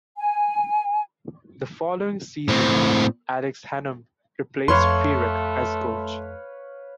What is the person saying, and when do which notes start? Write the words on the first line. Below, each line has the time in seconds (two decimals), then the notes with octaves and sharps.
The following season, Alex Hannum replaced Feerick as coach.
0.17 G#5
2.48 A2 C4
4.68 F2 A3 B4 C#5 F5 C6